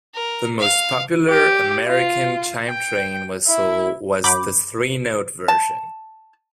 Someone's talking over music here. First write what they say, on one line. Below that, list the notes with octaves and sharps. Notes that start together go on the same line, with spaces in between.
The most popular American chime train whistle was the three-note version.
A#4
F5
G4
F4
G5
E4
F#2 B5 D6 G6
A5